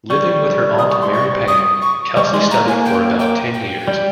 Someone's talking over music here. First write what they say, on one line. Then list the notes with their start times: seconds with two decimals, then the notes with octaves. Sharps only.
Living with her aunt Mary Paine, Kelsey studied for about ten years.
0.10 G3 C#6
0.78 D#6
0.90 C#6
1.02 C6
1.13 C#6
1.48 D#6
1.82 C#6
2.16 G3 C#6
2.33 G#3 C6
2.50 A#3 A#5
2.68 G#5
2.85 G5
3.19 A#3 G5
3.54 G5
3.88 G3